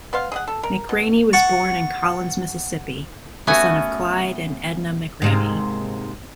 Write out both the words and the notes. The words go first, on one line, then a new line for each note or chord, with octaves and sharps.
McRaney was born in Collins, Mississippi, the son of Clyde and Edna McRaney.
B3 C5 F5
G#4 D#5 F#5
A4
A#4
B2
F#5 A5 C#6
A3 B3 C#4 F#4 G#5
G#2 C3 A#3